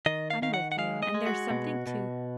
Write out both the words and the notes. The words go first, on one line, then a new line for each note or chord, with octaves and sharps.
I'm with you. And there's something to
D#3 D#5
F5
D#3 F5
F#5
F#5
G#3 F5
D#5
G#3
F#4
B2
B2